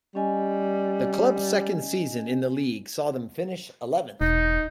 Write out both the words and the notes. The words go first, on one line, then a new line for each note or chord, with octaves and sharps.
The club's second season in the league saw them finish eleventh.
G3 C#4 D#5 G#5
E1 D#4